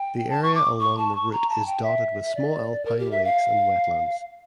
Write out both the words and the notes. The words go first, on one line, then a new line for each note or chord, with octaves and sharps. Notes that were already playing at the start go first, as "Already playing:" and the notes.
The area along the route is dotted with small alpine lakes and wetlands.
Already playing: G5
A5
C#6
D6
C#6
A5
C#6
A#5
A5
G5
E5
D5
A#4
G4
E5
F5